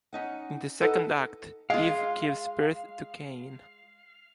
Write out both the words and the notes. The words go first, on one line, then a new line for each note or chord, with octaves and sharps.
In the second act, Eve gives birth to Cain.
C#4 D#4 F#5
D#4 A4 B4 D#5 F#5
G#3 F4 F5